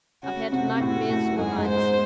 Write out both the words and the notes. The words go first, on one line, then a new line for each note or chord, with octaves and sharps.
"I've had nightmare all night!"
C#3 C#4 F#4
C3 C4 F#4
C3 C4
A2 A3 F#4
A2 A3
F#3
G#2 G#3 G#4
G#2 G#3
C5
G#2 G#3